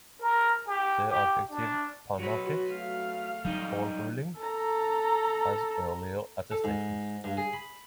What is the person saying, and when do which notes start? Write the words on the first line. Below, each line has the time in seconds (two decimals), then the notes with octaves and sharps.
The adjective "panarchic" "all-ruling" has earlier attestations.
0.20 A#4
0.67 G4
1.09 G4
1.50 D4
2.19 F#3 F#4 B4 C#5
2.70 A3 F5
3.45 F#3 G3 D#4 D#5
4.40 A4 A#5
6.51 A4
6.64 G#2
7.24 G2
7.37 G#4
7.53 B5